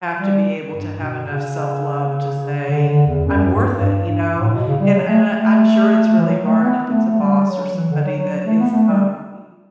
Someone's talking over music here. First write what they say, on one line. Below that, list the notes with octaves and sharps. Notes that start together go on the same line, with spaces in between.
have to be able to have enough self love to say, "I'm worth it." You know? And and I I'm sure it's really hard if it's a boss or somebody that is of e
G3
G2
B2
C#3
D3
D3
E2
F#2
G2
G2
G2
A2
B2
C#3
G3
F#3
A3
A3
A3
E3
F#3
A3
B3
A3
A3
G3
F#3
E3
D3
F#3
F#3
A3
B3
A3
G3